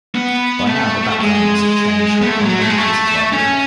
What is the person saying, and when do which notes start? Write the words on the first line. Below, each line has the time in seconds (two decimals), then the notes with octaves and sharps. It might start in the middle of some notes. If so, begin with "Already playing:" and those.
By now the background music changed to an unknown music library.
0.15 B3
0.68 A3
1.21 G#3
2.22 B3
2.26 A3
2.40 G#3
2.44 F#3
2.62 A3
2.70 G#3
2.78 A3
3.33 C#4